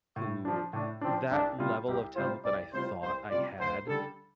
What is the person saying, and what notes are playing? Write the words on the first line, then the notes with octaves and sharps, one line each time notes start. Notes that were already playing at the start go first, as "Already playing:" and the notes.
who that level of talent that I thought I had
A2
F3 D4
A2 D4
F3 C4 D4
C2 D4
C3 G3 F4
C2 G4
C3 G3 F4 C5
C2 D5
C3 G3 F4 C5
C2 C5
C3 G3 F4 D5
D2 C5
D3 G3 A4